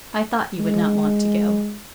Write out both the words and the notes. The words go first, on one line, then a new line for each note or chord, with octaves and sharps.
I thought you would not want to go.
G#3